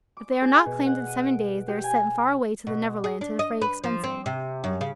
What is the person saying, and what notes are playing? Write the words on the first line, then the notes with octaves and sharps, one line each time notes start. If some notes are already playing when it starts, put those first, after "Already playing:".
If they are not claimed in seven days they are sent far away to the Neverland to defray expenses.
D6
G#4
B2
F#5
D#7
D7
G4
G#5
B2
G#4
D4
D#5
B4
F3
C4
C3
F#2
C#3